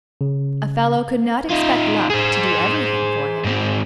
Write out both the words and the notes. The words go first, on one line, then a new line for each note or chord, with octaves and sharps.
A fellow could not expect Luck to do everything for him.
C#3
D#4 F4
G#4 C5
G#2 C4